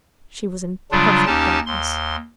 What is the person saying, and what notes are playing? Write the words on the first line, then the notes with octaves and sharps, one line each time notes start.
She was in perfect darkness.
C#3 F#3 G3 D4 F4
D#2 C#4 D#4 G4 A5 A6
D#2 C6